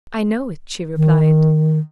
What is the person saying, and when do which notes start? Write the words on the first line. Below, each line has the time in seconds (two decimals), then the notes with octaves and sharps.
"I know it," she replied.
0.97 D#3